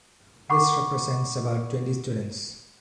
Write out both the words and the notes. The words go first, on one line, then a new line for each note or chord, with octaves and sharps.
This represents about twenty students.
F#5 B5 C#6 D6